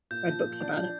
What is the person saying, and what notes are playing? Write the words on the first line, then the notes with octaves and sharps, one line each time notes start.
I read books about it.
A#2 G6
F3
A#2
D4
F3